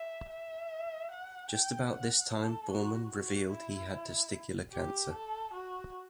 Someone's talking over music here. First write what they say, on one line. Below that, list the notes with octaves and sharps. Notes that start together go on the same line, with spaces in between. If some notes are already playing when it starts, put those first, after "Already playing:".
Just about this time Boorman revealed he had testicular cancer.
Already playing: E5
E5
F#5
G5
F#5
A4
F#4
F#4
E4
G4
A4
F#4